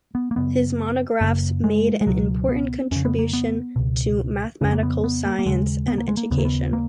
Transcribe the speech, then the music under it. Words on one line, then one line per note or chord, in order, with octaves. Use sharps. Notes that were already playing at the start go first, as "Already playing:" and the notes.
His monographs made an important contribution to mathematical science and education.
B3
A#3
F#2 C#3 B3
F#2 C#3 A#3
G#3
G#3
C#2 B2 F#3
B3
F2 C#3 C#4
B3
A#3
B3
C#2 B2
F2 C#3 C#4
A#3
B3
B3
A#3
A#3
D#2 C#3 G#3
B3
A#3
G#3
A#3
D#2 C#3 B3
A#3
B3
A#3